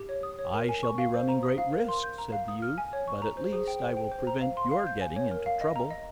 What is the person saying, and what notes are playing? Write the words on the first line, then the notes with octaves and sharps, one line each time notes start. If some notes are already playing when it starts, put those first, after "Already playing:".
"I shall be running great risks," said the youth, "but at least I will prevent your getting into trouble."
Already playing: G4
C#5
D#6
C#5
A#4
G#5
C#6
F5
C5
A#5
D#6
F5
A#4
C6
G6
A#5
F5
D#6
F6
G#5
C#5
C#6
A#5
C5
G#4
G5
C5
G5
C5
A#5
F5
C6
F5
G6
G#5
C#5
A#4
F5
D#5
A#5
D#5